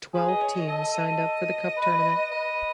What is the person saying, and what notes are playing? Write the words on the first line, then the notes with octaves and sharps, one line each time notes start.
Twelve teams signed up for the Cup tournament.
G#4 B4
D#5
C#5
D#5
A4 D#5
D#5
B4
B4 D#5